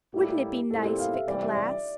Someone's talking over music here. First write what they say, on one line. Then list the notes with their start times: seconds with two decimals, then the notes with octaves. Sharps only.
Wouldn't it be nice if it could last?
0.14 A2 G3 A#3 E4 G4
0.71 A#2 G3 C4 E4 A4
0.84 G4
0.99 F5
1.14 E5
1.28 C3 E3 G3 D5
1.42 E5
1.55 D5